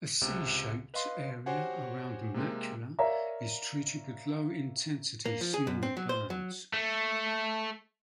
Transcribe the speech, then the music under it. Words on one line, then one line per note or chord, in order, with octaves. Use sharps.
A 'C' shaped area around the macula is treated with low intensity small burns.
C#2 C3
B4 D#5 F5 C6
F#4 G4 C5 C#5 F#5 G#5
C3 G#3 A#3 C4
A#4 C#5 D5 E5 F5 A#5
A#3
F3
G#4
F#2
C4
F#3
C5
F#3
A3